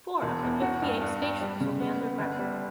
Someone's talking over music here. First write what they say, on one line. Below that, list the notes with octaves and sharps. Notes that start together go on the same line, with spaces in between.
Four of the fifty-eight stations will be underground.
E1
E2
F#4
G2
G2
G2
G3
C#3
B3
B3
G1
G3